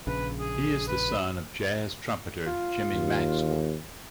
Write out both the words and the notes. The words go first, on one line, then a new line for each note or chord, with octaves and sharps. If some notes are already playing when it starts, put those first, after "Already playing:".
He is the son of jazz trumpeter Jimmy Maxwell.
A#1 C#3 B4
G#4
B4
F4
D#2